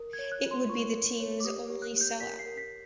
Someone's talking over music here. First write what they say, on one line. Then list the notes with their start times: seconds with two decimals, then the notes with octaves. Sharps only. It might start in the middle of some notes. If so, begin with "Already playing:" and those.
It would be the team's only sellout.
Already playing: A#4
0.13 G#6
0.19 C#5
0.32 F#6
0.44 F4
0.51 C6
0.69 F4 C#6
0.94 A#4
1.20 C#5
1.40 D6
1.44 G4 D#6
1.70 G4
1.82 F#6
1.95 G4
2.01 G6
2.20 A#4 B6
2.39 C7
2.46 A#4
2.57 B6